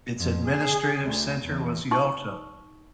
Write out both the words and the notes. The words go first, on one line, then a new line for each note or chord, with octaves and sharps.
Its administrative centre was Yalta.
F2
G#4
D2
E2
D#4 C#6